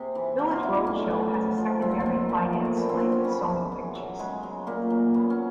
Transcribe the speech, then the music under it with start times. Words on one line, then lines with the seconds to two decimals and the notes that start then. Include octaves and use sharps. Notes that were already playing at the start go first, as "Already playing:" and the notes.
Village Roadshow has a secondary finance slate with Sony Pictures.
Already playing: C3 G#4
0.15 E3
0.39 B2
0.51 F4
0.63 F#3 E4
0.75 D#4
0.86 A2 C#4
1.10 F#3
1.34 C#3
1.58 F3
1.82 A#2 C4
1.91 B3
2.00 C4
2.06 F#3
2.29 A#2 B3
2.53 F3 A3
2.65 A#3
2.77 A#2 B3
2.84 C#4
2.89 C4
3.00 F#3 D4
3.12 C#4
3.24 C#3 B3
3.48 E3
3.72 B2
3.95 F#3
4.19 C#3 G#3
4.43 F#3
4.67 A#2 A#3
4.90 F#3
5.14 C#3 B3
5.30 C#4